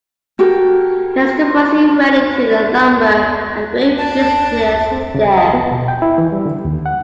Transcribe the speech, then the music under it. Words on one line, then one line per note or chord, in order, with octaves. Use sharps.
Mr Bussey went into the lumber and grain business there.
F#4 G4 A4 A#4
D4 A5
C4
C#3
D#5
B3
B2
G5
E4
E3
G3
D3
D#2
F#5